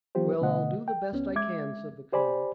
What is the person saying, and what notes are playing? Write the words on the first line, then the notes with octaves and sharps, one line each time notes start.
"Well I'll do the best I can," said the colonel.
E3 F#3 B3 F4 G4 C5
B2 D3 A3 B3 D#5 F#5
G5
C#2 B3 C#4
G#3 E5 D6 G#6
G4 C5 D5 G#5 B5